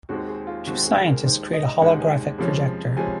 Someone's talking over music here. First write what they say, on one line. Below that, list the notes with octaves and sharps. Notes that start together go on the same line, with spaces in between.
Two scientists create a holographic projector.
D#2 D#3 G#3 C4 F#4
G#4
F4
D#2 D#3 G#3 C4 F#4
G#4
A#4
D#2 D#3 G#3 C5
D#5
D#2 D#3 G#3 F#5
G#5
F2 C3 F3 G#3 C#4
C3 F3 G#3 C#4 G#5